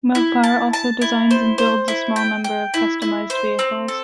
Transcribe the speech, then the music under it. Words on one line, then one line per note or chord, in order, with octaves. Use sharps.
Mopar also designs and builds a small number of customized vehicles.
E4
A5
A5
E4
C5
C5
E4
G5
G5
E4
E4
C5
C4
A4